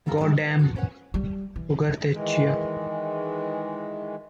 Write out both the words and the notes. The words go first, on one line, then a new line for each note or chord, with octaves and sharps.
God damn Ugartechea.
F#2 G3 A#3 F#4 A4 A#4
G3 G#3 D4 F#4 G4 A4
B4
F#4 A4
C#4 B4 C#5 F#5
G3
E3
D#3 E3 G#3